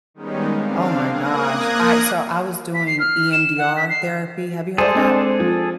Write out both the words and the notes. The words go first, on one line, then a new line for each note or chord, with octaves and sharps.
Oh my gosh, I so, I was doing EMDR therapy, have you heard of that?
D#3 G3 G#3 B3 C#4 D#4
C4 D4 F5
A#3 D#6 F#6 G#6 A#6
B6
C7
F6
E7
F#5
B6
C7
G#4 A4 C5 D5
G#3 C4 D4
F3